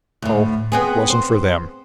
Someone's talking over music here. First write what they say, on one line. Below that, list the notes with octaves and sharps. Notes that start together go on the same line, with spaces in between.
No, it wasn't for them.
D2 A2
B3 C4 G#4
C5